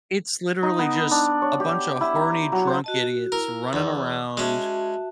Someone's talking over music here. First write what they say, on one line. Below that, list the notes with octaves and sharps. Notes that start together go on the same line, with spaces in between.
It's literally just a bunch of horny, drunk idiots running around,
D#4
B3
D4
C#5
G4
E4
A#5
F#3
C5
F#4 D#5 A5
F#4
E4 A#4
E2 B5 D6
G#3 C#4 F#4 E5 A5